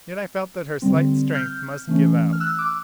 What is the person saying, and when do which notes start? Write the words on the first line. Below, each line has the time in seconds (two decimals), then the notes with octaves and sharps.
Yet I felt that her slight strength must give out.
0.82 D3 G3 C4
1.34 F6 G6
1.87 E3 A3 C#4
2.33 F6
2.40 E6 F#6
2.58 D6 E6